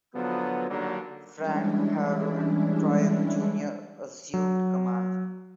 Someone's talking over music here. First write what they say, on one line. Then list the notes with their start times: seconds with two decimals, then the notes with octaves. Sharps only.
Frank Harold Tryon, Junior assumed command.
0.15 D3 F3 F#3 B3
0.70 D3 D#3 F#3 G3 A#3 D4
1.38 E3 G3 G#3 C#4 D4 E4
4.34 F#3